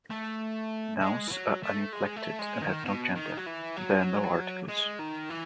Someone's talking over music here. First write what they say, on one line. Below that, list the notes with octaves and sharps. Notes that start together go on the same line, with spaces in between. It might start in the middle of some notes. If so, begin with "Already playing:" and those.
Nouns are uninflected and have no gender; there are no articles.
A3
G#3
E3
F#3
A3
G#3
A3
G#3
D#3
B2
D#3
F#3
E3
F#3
G#3
D#3
E3